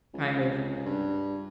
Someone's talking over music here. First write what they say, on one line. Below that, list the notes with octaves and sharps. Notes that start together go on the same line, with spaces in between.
kind of
C#2
G2